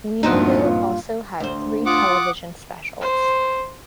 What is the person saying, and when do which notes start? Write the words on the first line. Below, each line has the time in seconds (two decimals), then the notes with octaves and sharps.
Weinerville also had three television specials.
0.23 D2 G2 A#2 F3 B3 C4 D#4
0.65 F4
1.40 D2 C5
1.86 F4 F#5 D6 D#6
3.01 C5